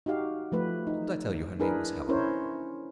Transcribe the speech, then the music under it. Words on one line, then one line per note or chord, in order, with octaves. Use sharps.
Didn't I tell you her name was Helen?
D#4 F#4 G4 F5
F3 A3 B4
D#4
D4 E4 G#4 A#4 B4
C#4 E4 A#4 C5 C#5